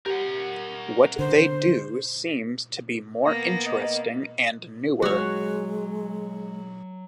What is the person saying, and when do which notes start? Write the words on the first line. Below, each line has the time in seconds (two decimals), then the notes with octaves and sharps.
What they do seems to be more interesting and newer.
0.06 G4 A#4 F#5
1.19 D3 C5
3.25 A#3 B3 A#6
3.66 D#5
5.02 F#3 G#3 F#4 C#5